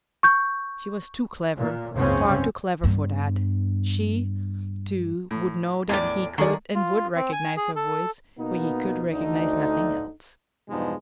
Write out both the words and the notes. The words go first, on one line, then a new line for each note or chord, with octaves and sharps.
She was too clever, far too clever for that--she, too, would know that he could and would recognise her voice where he could recognise nothing else.
C#6 G6
A#2
F#1 C#2 G#2 C#3 C4 C#4
G2 B3
A2
E2 A2 D5
D3 D#3 G#4 D5
F4
C4
G#5
G#4
A4
B2 A#3 B3 D#4
D2 D3 D#4
E2 G2 B2 F3 G#3 D#4